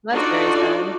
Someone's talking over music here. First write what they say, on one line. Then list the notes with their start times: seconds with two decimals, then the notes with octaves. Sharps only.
That's very sad.
0.12 D4 D#4 F4 F#4 A4 D5